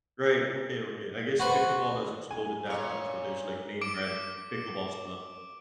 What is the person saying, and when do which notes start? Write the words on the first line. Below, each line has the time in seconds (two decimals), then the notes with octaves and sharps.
Right, okay, okay. I guess pickleball has exploded that much where there's, like, name-brand pickleball stuff?
1.40 F#4 B4 C5
2.31 G#5
2.66 A#2 C#4 C#5
3.81 D6 D7